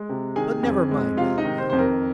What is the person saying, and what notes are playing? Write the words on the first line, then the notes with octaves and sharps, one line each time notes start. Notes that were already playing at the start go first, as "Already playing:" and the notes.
But never mind that now.
Already playing: G#3
C3
D#3 G#4 G#5
F2
G#3
C3 F4 F5
D#4 D#5
D#3
C5
F2 C5
A#4